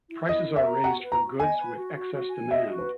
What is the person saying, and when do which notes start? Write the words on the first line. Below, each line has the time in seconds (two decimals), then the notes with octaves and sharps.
Prices are raised for goods with excess demand.
0.10 E4
0.29 E4 D#5
0.47 A#4
0.56 E5
0.65 A#5
0.84 F#4 F#5
1.03 B4
1.12 A#5
1.21 F#4
1.40 D#5 G#5
1.58 B4
1.77 F#4
1.95 F#4
2.14 F#4
2.32 G#5
2.51 D#5 E5
2.69 F#4
2.78 B4